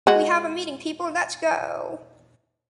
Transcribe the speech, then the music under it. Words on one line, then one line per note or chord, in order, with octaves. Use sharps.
We have a meeting, people. Let's go.
G#3 F#4